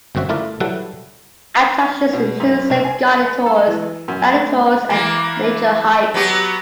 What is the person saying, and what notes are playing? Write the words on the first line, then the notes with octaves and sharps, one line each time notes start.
Attractions include self-guided tours, guided tours, and nature hikes.
G1 F#2 C4 F#4 E5
A3 E4 F4 A#4 D5 E5
F#3 G3 E4 A4 B4 F#5
B2
F#2
C2
G#5
A4
E3
F#2
A3
E3 A#3
F#3 B3 G4